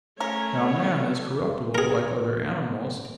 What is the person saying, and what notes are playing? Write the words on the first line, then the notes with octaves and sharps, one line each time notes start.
Now man is corruptible like other animals.
A3 C#4 A#4 C#5
G#4 A#4